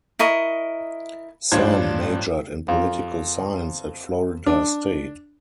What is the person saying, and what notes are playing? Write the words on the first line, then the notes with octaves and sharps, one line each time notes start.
Sam majored in political science at Florida State.
E4 A#4 D#5 C#6
A1 G2 D4 F4 C5 G#6
F2
D4